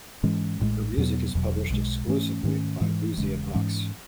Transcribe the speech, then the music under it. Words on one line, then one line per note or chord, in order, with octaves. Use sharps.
Her music is published exclusively by Boosey and Hawkes.
G#2 E3 G#3 C#4
A1 A2 G#3
E2 B2 F#3 B3
E1 E2 B2 F#3
B1 B2 G#3
G#2 E3 A3 C#4
G#2 D#3 A3 C#4
G#2 E3 G#3
E1 E2 C#3 G#3
G#2 E3 G#3 C#4